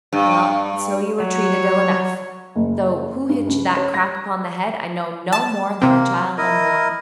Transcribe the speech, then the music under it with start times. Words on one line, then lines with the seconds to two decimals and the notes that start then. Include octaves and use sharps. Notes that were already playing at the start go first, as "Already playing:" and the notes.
Well, so you were treated ill enough--though who hit you that crack upon the head I know no more than a child unborn.
0.13 G2
1.20 F#3 C#5
2.55 F#1
3.29 G2
3.47 C#2
3.77 C#5
3.94 A#6
5.33 A5
5.82 C3 A#3 C4 A#4
6.38 E4 A#4 D#5